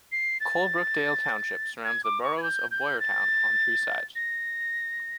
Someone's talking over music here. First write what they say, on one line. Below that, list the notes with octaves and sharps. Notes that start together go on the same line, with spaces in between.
Colebrookdale Township surrounds the borough of Boyertown on three sides.
C7
A6
G#6
D6
C#6
G#6
G6
G6
A6
A#6